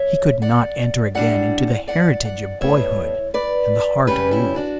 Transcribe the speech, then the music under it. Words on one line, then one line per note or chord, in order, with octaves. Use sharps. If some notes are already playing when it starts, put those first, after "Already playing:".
He could not enter again into the heritage of boyhood and the heart of youth.
Already playing: C#5 E5
D5 F#5
A2 G3 D4 D5 F#5
D5 F#5
D5 F#5
A2 G3 B3 C#5 E5
B4 D5
C#3 G3 C#4 G4 B4
E4 G4
D4 F#4